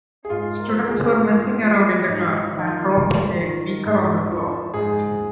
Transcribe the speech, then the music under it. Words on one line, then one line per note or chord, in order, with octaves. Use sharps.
Students were messing around in class and dropped a beaker on the floor.
G#4
G#2 F4
A#4
C5
F3 A#4
G#4
G#2 F4
F3
G#2 D#4
D#4
D#3 D#4
F4
G#2
D#3
G#2
F3
G#2 G#4